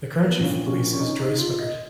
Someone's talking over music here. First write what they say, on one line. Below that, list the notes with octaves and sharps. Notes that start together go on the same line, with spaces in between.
The current Chief of Police is Dray Swicord.
A#3
B3
A#1 A#2 F3 C#4
C#4
C#4
D#4
C#4
D#4
F4
D#5